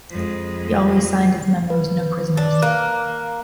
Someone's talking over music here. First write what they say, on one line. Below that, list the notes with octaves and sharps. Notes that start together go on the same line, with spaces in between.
He always signed his memos "no prisoners".
F2 G#3
B4
D4
A#3 F#6